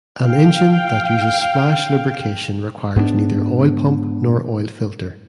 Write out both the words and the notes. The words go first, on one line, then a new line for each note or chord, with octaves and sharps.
An engine that uses splash lubrication requires neither oil pump nor oil filter.
F5 G5
G#2 B3 C4 D4